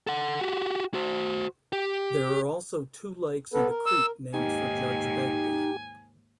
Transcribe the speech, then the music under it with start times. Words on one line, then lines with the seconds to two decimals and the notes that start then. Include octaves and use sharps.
There are also two lakes and a creek named for Judge Begbie.
0.07 A4 F#5
0.41 F#4 G4
0.94 F#4 C5
1.73 G4
3.54 B3 A4 B4
3.69 A#4
3.86 E6
4.34 D#2 G#2 D#4 G4 G#5